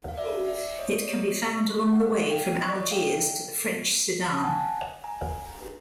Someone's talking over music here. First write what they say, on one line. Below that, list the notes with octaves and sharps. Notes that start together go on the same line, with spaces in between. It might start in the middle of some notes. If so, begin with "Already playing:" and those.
It can be found along the way from Algiers to the French Sudan.
F5
D5 E5
D5 E5
C#5 D#5
D5
C#5 D#5
F#5
D#5 F5
F5 G5
D#5
D5
C#5 D#5
F5 G5
A5
F#5 G#5
G#5 A#5